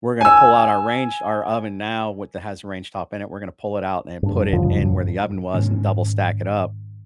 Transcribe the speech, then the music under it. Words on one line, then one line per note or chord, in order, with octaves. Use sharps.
we're gonna pull out our range our oven now with that has range top in it, we're gonna pull it out and put it in where the oven was and double stack it up
G#5 E6
G2 D4
F#2
E2 C#3 F3 G3
F#2
F#2 A2
G#2 D#3 C#4